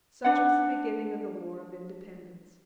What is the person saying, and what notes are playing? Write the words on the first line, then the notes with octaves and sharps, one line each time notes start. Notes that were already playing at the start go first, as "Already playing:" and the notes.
Such was the beginning of the war of independence.
D4 B4 F#5